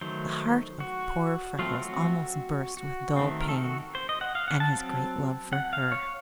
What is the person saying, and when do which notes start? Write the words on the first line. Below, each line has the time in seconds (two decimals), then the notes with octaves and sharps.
The heart of poor Freckles almost burst with dull pain and his great love for her.
0.01 D#3 F#3 A3 C5
0.80 F#4
1.59 F#3 A3 C4 F4
1.79 F#4
2.77 F#4
3.17 D#3 A3 C4
3.41 A#4
3.49 A4
3.56 F#4
3.95 C5
4.09 D#5
4.21 F#5
4.35 F5
4.48 F#5
4.60 A5
4.73 F#3 C4
5.53 F#5
5.73 F5
5.92 C#5